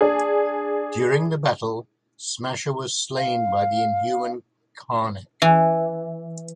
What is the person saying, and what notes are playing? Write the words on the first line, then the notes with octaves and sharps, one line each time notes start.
During the battle, Smasher was slain by the Inhuman Karnak.
D4 G#4
F5
E3